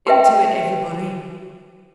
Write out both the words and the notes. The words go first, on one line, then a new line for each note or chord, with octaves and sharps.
"Into it, everybody!"
G4 B4 E5 G5